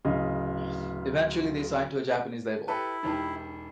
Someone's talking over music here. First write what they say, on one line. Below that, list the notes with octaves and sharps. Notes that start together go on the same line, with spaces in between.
Eventually, they signed to a Japanese label.
D1 C#3 D#5
E4 G4 A4 B4 A5
E1 D4 D#4 G4 B4 A5